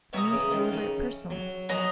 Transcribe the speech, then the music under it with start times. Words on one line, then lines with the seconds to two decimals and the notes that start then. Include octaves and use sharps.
I mean to deliver it personally.
0.13 B2 C#5 E5 A#5 D#6
0.32 C#3
0.51 D#3
0.72 C#3
1.30 F#3
1.69 F#3 B4 D#5 A#5 D#6